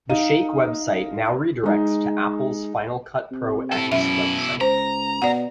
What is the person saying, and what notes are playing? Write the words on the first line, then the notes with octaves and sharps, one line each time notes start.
The Shake website now redirects to Apple's Final Cut Pro X website.
D#4 D#5 F5 D#7
G#3 D#4
C3
E4 A4
F#2 B2 E4 E5
C#2 C5 A#5
B2 D5 F#5